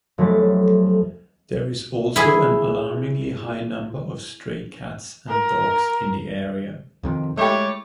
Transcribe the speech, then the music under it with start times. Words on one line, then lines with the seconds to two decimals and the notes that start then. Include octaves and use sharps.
There is also an alarmingly high number stray cats and dogs in the area.
0.18 F1 F#3 G#3 A3 A6 B6
2.16 E4 G#4
5.28 A#4
7.03 F2 C3 D#3
7.37 G#3 A3 E4 G4 C#5 D6